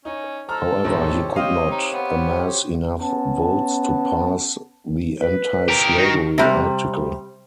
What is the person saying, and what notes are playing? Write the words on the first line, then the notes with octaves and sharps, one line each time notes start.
However he could not amass enough votes to pass the anti-slavery article.
C#4 D#4
A4 C5 A#5 F6
A#1 D#2 G#2 G4 C5 C#5
C4 D#5 F5
D#4
B3
B3 C#4 A5
B4
G4 A#4
D#3 D#4 F#4
C3 G3